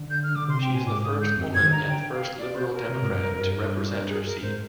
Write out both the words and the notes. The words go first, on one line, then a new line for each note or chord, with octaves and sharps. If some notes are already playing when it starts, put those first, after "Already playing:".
She is the first woman and first Liberal Democrat to represent her seat.
Already playing: D3
G6
F6
D3 D6
C3 C6
C3 G5
A#2 G#5
G#2 D6
D#6
G6
F2
G2 G#6
D#3
D3 A#5
G5
F5
D5
C5
A#4
C3
G#2
F2
G2
F2
G2
A#4
G#4
A#4
G#2 C5